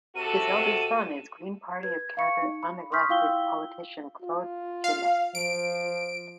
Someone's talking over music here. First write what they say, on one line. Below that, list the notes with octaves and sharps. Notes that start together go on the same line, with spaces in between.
His elder son is Green Party of Canada unelected politician Claude Genest.
C3 F#4 A4 D#7
B4 G#6
F5 C#6 C#7
D#4
B5
C6 C#6 D#6 F6 G6 B6
E4 F4 F5 G5 E6 G7
F4
F5
F3 D7